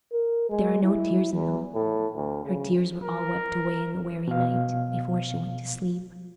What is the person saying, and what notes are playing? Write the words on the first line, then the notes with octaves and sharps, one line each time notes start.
But there are no tears in them: her tears were all wept away in the weary night, before she went to sleep.
A#4
G#3
E4
E2
A2
D2
C#3
A#4
B2 F5